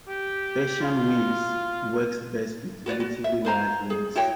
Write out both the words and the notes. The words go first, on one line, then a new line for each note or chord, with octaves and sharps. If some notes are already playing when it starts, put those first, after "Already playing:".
Persian weaves works best with relatively large rings.
G4
F4
F#4 B4 C#5 D5
F#4
E5
B4 C5 A#5
G#4
E4 F#4 C#5 G5